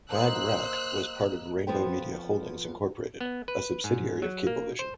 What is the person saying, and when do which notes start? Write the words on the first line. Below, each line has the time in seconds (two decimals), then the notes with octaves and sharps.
Mag Rack was part of Rainbow Media Holdings, Incorporated a subsidiary of Cablevision.
0.11 A#3 C5 D#5 E6 F#6
1.67 F2 F3 B3 B4 C5 G5
3.21 B3
3.48 B4
3.84 G#2
4.22 F#3
4.47 A#3
4.79 C5